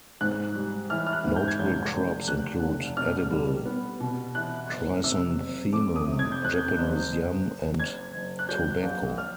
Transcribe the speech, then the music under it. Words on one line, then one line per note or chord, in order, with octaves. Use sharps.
Notable crops include edible chrysanthemum, Japanese yam and tobacco.
G#2 F#6
G3
E3 F6
F6
F#6
G#2
G6
G#6
F1 G6
F1
F1 F#6
F1
B2 F6
G3
B3
B2
E3 F#6
F#1
C3 E6
F#1
F2 D6
D#6
C3
G#6
G6
F2 F#6
G6
F#1
F#1
F#1
F#1 G#6
F#1
F#6
F#3 G6
A#1
F6